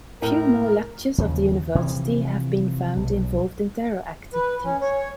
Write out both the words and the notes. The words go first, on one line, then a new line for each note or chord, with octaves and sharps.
Few more lectures of the University have been found involved in terror activities.
A2 A#4
D#2 C#3 F3
C3 E3 F3
B1
B4
C#4
C#5